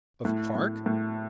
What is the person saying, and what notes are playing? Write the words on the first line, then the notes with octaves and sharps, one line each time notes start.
"Of park?"
A2
A2
A2